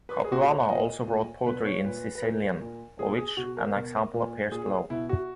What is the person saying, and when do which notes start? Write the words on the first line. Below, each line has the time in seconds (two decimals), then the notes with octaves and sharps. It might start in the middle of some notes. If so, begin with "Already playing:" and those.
Capuana also wrote poetry in Sicilian, of which an example appears below.
0.09 B4
0.17 A#4
0.24 G#4
0.31 A#2 F#4
0.41 G#4
0.51 C#5
0.60 F#5
0.70 A#2 D#5
1.08 A#2
1.46 B2 B4
1.65 C#5
1.85 A#2 B4
2.15 B4
2.22 A#2 A#4
2.61 A#2
2.99 A#2 G#4
3.18 G#4
3.37 B2 F#4
3.57 A#4
3.76 B2
4.14 A#2
4.51 A#2 G#4
4.90 B2 E4
5.09 F#4